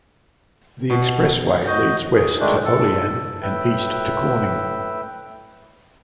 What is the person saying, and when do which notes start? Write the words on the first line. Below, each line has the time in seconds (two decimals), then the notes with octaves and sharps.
The expressway leads west to Olean and east to Corning.
0.90 B2
1.67 F#4 D#5 G6
2.15 G#4
2.40 D#3 G#3 A3 D4
2.64 A4
3.42 A2 B4 E5 G5